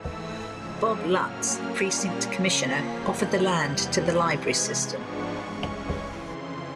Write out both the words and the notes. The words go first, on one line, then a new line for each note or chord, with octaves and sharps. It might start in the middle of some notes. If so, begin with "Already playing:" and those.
Bob Lutts, the precinct commissioner, offered the land to the library system.
Already playing: G#2 E3 A3 E6
F2 C#3 F3 G#3
A2 F#3 A#3 C#4 F6
A#2 G3 A#3 C#4
C#3 F3 A#3 C#4 B6
C7
F#2 C#3 E3 G3 A#3 G6
E2 C3 E3 G3 B3
C3 E3 G#3 G#6
G#2 F3 G#3 B3 D4 C#6
G2 E3 G#3 C#4
F2 C#3 E3 C6